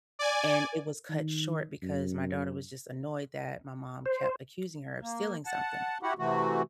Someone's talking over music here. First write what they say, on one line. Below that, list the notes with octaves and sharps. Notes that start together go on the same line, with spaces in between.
and it was cut short because my daughter was just annoyed that my mom kept accusing her of stealing something.
D5 G#5
D#3
F#2
C5
A#3
F#5 A5
E4 F#4 G4 F#5
C3 E3 A3 F#4